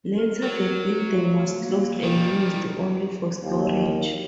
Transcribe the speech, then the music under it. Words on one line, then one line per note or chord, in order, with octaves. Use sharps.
Later the building was closed and used only for storage.
A#4
F#3
A3
A#3
D#3 G3
E4
D#2